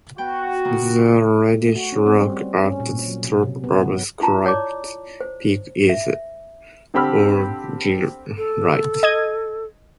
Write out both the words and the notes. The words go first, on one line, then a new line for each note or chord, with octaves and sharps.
The reddish rock at the top of Crypt Peak is argillite.
B3 F#4 G5
C#3 A#3 D#4
A3
F#4
C#4
C4
G3
C#4
A#2
F#3
B2
C3
B3
F#3
E4 F4 A5 A#5
C#5 D5 D6
C5
E5
D3 C4 G4 B5 E6 F6
A4
D#5 G#6 D#7